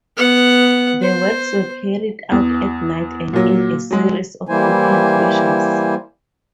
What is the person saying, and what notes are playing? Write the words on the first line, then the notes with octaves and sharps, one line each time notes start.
The works were carried out at night and in a series of weekend closures.
B3 F#5
C5
E2
A#2 F#3
F#3 G#3
E3 G3 A#3 E4 C5 G#5